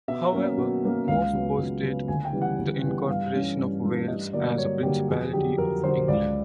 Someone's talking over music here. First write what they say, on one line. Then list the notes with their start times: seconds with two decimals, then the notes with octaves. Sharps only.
However most post-date the incorporation of Wales as a principality of England.
0.08 B2 E5
0.33 F#3 A#3 C#4
0.58 B2
0.83 F#3 A#3 C#4
1.08 C#2 F5
1.33 C#3 F#3 B3
1.58 C#2
1.83 C#3 F#3 B3
2.08 D2 G#5
2.25 G5
2.33 C#3 E3 G3 B3
2.42 F#5
2.58 D2
2.84 C#3 E3 G3 B3
3.08 G2 F5
3.33 E3 A3 C#4
3.58 G2
3.83 E3 A3 C#4
4.08 G2 D#5
4.33 D3 F#3 A#3 D5
4.58 G2 C#5
4.83 D3 F#3 A#3 G4
5.08 F2 G#4
5.33 D3 F#3 G4
5.58 F2 A#4
5.83 D3 F#3 C5
6.08 C#2 D5